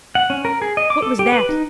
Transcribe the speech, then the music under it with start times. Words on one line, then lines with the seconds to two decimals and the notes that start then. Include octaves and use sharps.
"What was that?"
0.15 F#5
0.30 C#4
0.45 A#4
0.62 G#4
0.77 D#5
0.90 D6
1.02 A4
1.19 G4
1.32 B4
1.49 D#4